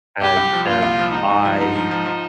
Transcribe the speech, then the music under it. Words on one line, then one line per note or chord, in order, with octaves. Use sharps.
and and I
C2 G4
C2
F3
A#2 F4
C2
F3
G#2 D#4
G#2
F3
G#2
F3
F3
F3